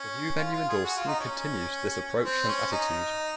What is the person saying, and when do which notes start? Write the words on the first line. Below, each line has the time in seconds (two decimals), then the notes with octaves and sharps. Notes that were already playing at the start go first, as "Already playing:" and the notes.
The new venue in Dalston continues this approach and attitude.
Already playing: C#4
0.37 F4
0.53 F4
0.69 G#4
0.84 F#4
0.96 F4
1.07 D#4
1.20 C#4
2.25 C4
2.48 C#4
2.72 D#4